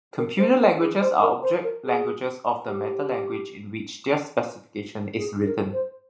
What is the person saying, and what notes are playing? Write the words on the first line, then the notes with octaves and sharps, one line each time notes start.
Computer languages are object languages of the metalanguage in which their specification is written.
A#4
C5
A#4
G#4
C5
A#4
C5
A#4
G#4
G4
G#4
A#4
C5